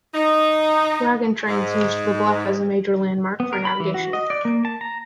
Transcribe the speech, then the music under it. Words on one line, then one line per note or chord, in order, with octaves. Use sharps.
Wagon trains used the bluff as a major landmark for navigation.
D#4
G#2
B3
A#4
B5
E3
F#4
D#5
D5
A#3
A5
A#5